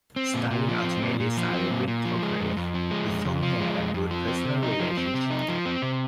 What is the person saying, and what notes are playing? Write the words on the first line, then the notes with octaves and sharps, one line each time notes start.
Stalin ultimately sided with Tokarev, with whom he had a good personal relationship.
C4
A#2
A#2
F3
C4
A#2
A#2
F3
C4
A#2
A#2
F3
G#3
F2
F2
F3
G#3
F2
F2
F3
G#3
F2
F2
F3
C4
C3
D#4
F3
C4
C3
D#4
F3
C4
C3